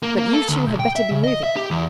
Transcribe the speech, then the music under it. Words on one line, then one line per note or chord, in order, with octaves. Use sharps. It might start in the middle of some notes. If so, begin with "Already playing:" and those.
But you two had better be moving.
A#3
A#3
A4
D2
B1
G5
E5
C#3
D#5
E5
G4
E2